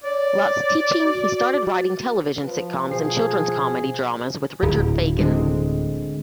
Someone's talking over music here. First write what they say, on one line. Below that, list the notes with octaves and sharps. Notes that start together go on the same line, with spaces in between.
Whilst teaching he started writing television sitcoms and children's comedy dramas with Richard Fegen.
C#5 D5
F#4
F3 B4
B2 G#4 C5 C7
D1
D3 G#3 C4